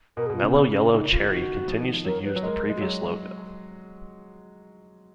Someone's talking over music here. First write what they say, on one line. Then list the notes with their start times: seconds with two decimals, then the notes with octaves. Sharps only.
Mello Yello Cherry continues to use the previous logo.
0.17 B2 A#4
0.27 G#4
0.30 B2
0.36 F4
0.42 C#3
0.45 C#4
0.54 C#3 B3
0.74 C#4
0.92 D#4
1.11 F4
1.30 D#3 F#4
1.68 F3
1.80 D#3
1.94 F3
2.05 F#3 A#4
2.25 B4
2.36 F#3
2.43 G#3 A#4
2.70 G#3
2.76 F#4
2.81 F#3 G#4